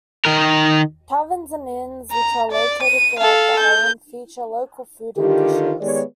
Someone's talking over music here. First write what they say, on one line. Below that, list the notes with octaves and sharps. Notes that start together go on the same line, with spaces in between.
Taverns and inns, which are located throughout the island, feature local food and dishes.
D#3 A#4
A#5
D5
D#7
A4 F5
G6
D3 D#3 F4 G4
D#3 G#3 B3 G4 C#5 D5